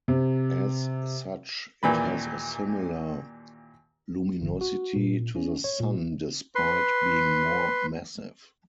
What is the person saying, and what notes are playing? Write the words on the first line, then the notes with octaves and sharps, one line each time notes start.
As such, it has a similar luminosity to the Sun despite being more massive.
C3
D#2 A#2 E3 B5
G1
F#4
A#2
C#4
C#5
A#2
B4 C6